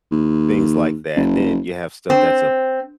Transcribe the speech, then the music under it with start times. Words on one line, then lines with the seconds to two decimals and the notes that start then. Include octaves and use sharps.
things like that. Then you have stuff that’s, uh
0.11 D#2
1.16 F#1
2.10 C4